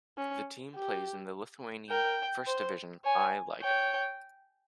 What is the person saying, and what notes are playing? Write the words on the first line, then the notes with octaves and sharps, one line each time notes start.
The team plays in the Lithuanian first division I Lyga.
C#4
G4
A#4 G5
C5
C#5 G#5
C#5 G5